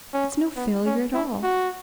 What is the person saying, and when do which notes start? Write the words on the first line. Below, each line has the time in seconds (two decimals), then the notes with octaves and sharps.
It's no failure at all.
0.13 C#4
0.56 B3
0.86 C#4
1.14 E4
1.43 F#4